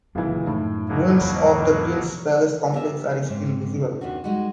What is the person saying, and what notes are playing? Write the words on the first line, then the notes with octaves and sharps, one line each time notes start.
Ruins of the Prince's Palace Complex are still visible.
G1 C#2 A#2 E3 F#3
F#2 A2 D#3 F3
B2 F#3 A#3
G#1 E2 F3 C#5 B5
B3 G4 A#4 C#5 E5
G#2 C3
D#2 C3 C#4 D4 F#4
G3 G#3 D#4 F#4